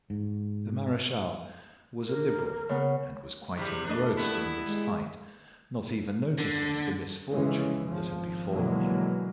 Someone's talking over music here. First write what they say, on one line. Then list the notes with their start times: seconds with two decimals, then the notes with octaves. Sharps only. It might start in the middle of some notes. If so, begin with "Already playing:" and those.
The marechal was a liberal, and was quite engrossed in this fight, not even noticing the misfortune that had befallen him.
0.10 G#2
2.06 A#4
2.69 C#3 B3
3.58 E2 C3 G3
3.86 A3 A#3 D4 D#5
4.17 G3 B3 E4
4.65 G#3
6.38 D3
7.30 F1 C#3 E3 G#3 C#4
7.87 G#1 F3
8.51 B2 D3 E3 F#3 G#3 A#3